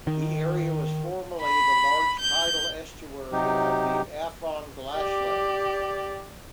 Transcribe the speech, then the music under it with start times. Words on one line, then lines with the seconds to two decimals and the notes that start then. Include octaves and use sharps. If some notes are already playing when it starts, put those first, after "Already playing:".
The area was formerly the large tidal estuary of the Afon Glaslyn.
0.07 D#3
1.42 B5
2.19 G6
3.32 C3 F#3 D#4 G4
4.93 G4 D5